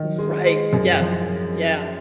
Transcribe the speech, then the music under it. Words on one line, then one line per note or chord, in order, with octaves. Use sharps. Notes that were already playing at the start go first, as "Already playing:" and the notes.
Right, yes, yeah.
Already playing: D#3
G#3
G#3
F#2
F3